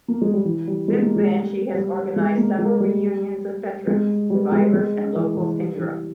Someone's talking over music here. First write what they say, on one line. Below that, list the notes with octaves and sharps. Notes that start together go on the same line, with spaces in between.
Since then, she has organized several reunions of veterans, survivors and locals in Europe.
A#3
G#3
G3
E3
G3
G#3
A#3
G#3
G3
G3
G#3
A#3
G#3
G3
G#3
G3
G#3
G#3
E3
E3
G3
E3